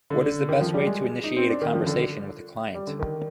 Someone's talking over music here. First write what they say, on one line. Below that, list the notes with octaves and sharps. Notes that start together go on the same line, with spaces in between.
What is the best way to initiate a conversation with a client?
D3
D#3
F3
G3
G#3
D#4
C4
D4
D#3
F3
D3
G3
D3
D#3